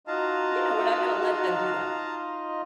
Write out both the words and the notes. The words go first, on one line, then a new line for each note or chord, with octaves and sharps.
Yeah, we're not gonna let them do that.
D#4 F4 F#4 D#5 F5 A5 A#5